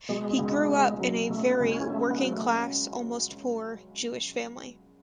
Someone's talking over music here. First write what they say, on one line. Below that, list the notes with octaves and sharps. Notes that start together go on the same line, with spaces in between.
He grew up in a "very working-class, almost poor" Jewish family.
B2 G#3
C#2
C#4
F#3
B2 A3
B3
C#2
C#4
A3 C#4
B3
F#3
A3